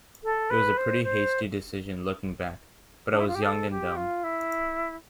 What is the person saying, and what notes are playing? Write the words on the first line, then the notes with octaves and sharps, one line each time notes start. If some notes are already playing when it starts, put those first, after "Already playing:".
It was a pretty hasty decision, looking back, but I was young and dumb.
A4
B4
C5
C5
D4
E4
F4
G4
A4
G4
F4
E4